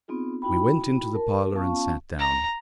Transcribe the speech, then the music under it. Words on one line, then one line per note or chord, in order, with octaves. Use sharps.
We went into the parlour and sat down.
B3 C4 D#4 F4 G#4
D#4 E4 F#4 G5 B5
A#4 A5
B3 C#4 F4 F5 A5 C#6
A#5